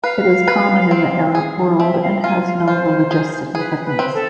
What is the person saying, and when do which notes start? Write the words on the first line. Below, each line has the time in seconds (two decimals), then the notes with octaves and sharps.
It is common in the Arab world and has no religious significance.
0.03 B4 F5
0.48 B4
0.91 C4
1.35 G#4
1.79 C4 E5
2.01 F5
2.23 F4 G#5
2.45 F5
2.67 F4 C5
3.11 G#4
3.55 G#4 B4
3.84 B4
3.99 C4
4.14 A4